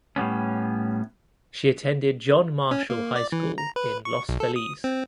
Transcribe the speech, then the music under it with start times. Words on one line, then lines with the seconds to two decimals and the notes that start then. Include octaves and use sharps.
She attended John Marshall High School in Los Feliz.
0.16 A2 G3 B3 C#4
2.71 C#4
2.90 A#3
3.16 D5
3.32 E3
3.58 A#5
3.76 B4
4.05 C#6
4.29 B1
4.40 A4
4.56 D#6
4.84 C4